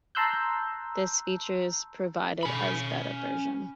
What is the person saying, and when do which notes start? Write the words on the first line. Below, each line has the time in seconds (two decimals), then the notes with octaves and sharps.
This feature is provided as beta version.
0.15 A5 A#5 C6 E6 F#6 G6
2.43 C#4 B5